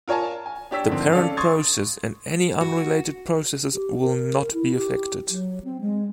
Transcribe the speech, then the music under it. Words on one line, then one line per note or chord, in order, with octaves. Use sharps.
The parent process and any unrelated processes will not be affected.
F4 A#4 C#5 G#5 A5
G#5
D4 G4 C#5 E6 B6
G#1 F2 D3 D#3 C4 C6
C#4 A4 D5 F5
C6 C#6 D#6 G#6 A6
F#4
G4
A#4
E4
G4
F#3
C4
G#3